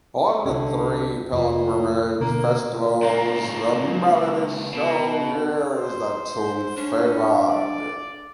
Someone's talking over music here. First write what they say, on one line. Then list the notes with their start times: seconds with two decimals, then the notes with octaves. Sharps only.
On the three pilgrimage festivals, the melody shown here is the tune favored.
0.46 C2 D3 C#4
1.33 F1 A#2
2.21 B2 D3 A#3
3.02 C#2 A#3
4.74 B2
5.74 C5
6.77 C#4 D4
7.48 D5